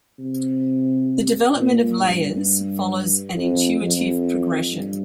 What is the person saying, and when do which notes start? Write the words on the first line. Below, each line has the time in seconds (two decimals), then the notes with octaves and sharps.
The development of layers follows an intuitive progression.
0.19 C3
1.55 A#2
2.01 G2
3.36 F2
3.81 F2
4.72 G2